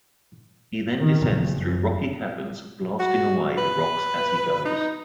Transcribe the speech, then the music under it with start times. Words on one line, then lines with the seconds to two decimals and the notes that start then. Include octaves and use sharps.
He then descends through rocky caverns blasting away the rocks as he goes.
1.00 D#3
1.31 F#1
3.00 F#4
3.58 B4
4.65 D#4